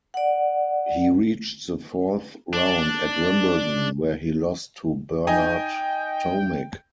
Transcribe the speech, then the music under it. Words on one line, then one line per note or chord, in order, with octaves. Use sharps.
He reached the fourth round at Wimbledon, where he lost to Bernard Tomic.
D5 F#5
D4
D#4 G5 G#5